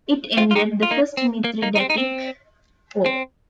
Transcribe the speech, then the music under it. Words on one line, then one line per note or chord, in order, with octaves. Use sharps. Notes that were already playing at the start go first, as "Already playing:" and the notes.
It ended the First Mithridatic War.
C4 F4
F4
D#4 G4
F4
A#3 D#4
C4
A#3
A#3 D#4
D#4
C4
D#4
C4
C4